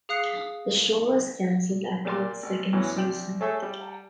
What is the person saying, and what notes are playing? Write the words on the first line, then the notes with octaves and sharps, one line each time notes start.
The show was cancelled after its second season.
G#4 F5 D#6 F#6 C7 C#7
A#2 G3 A#3 D5 G5 C6
A1
E2 A2 E3 F#3 C#4
C2 D4 G5
A3 G#4 A4 C#5 E5 E6
G3